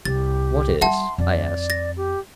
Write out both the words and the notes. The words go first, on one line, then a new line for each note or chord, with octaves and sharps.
"What is?" I asked.
C2 G4 A6
G3 E5 F#5 A5 C6
F2 D5
A6 A#6
G4